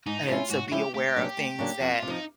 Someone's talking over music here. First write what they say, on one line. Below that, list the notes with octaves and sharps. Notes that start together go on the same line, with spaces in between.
and to be aware of things that
G#2 D#4
F3 G#3 C#4 E4 F4
G#2 F#4
F#4
F3 G#3 C#4 E4 G4
D2 G4
C#3 F#3 A#3 D4
D2
C#3 F#3 A#3 D4
F2 F#4
F4
C3
F3 D#4